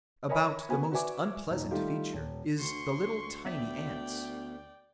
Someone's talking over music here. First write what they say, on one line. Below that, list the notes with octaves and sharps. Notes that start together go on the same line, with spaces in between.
About the most unpleasant feature is the little tiny ants.
A#4 C#5 D#5 E5 G#5 B5
B3 F#4 B4 G#5
F#4 B4 D5 E5 G#5 D6
D#1 D#4
D#3 G3 A3 F4 G4
D#1
D2 C6 C#6
B3 D5 E5 G5